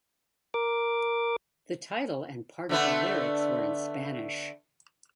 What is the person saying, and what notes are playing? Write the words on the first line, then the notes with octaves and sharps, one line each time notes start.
The title and part of the lyrics were in Spanish.
A#4 D6
D3 A3 B3